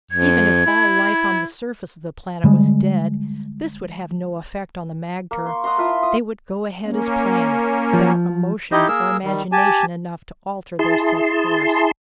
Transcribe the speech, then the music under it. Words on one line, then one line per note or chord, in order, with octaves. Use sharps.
Even if all life on the surface of the planet was dead, this would have no effect on the magter. They would go ahead as planned, without emotion or imagination enough to alter their set course.
F2 G#6
E4
D3 G3 G#3
A#3
C6 C#6
D#5 F#5 A#5 C6
E4 F4 E5 A5
D#6
A#3 C#4
F3
D#4 E4 G4 D#5 G6
A#3 G#4 A#4 E6
D#3 G3
G4 G#5 A5
E4 G#4 A5 C6